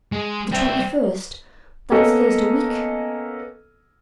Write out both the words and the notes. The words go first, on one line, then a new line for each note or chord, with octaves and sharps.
'The twenty-first--that's Thursday week.
G#3
G3 C4 E5
A#3 B3 C#4 A4 D#5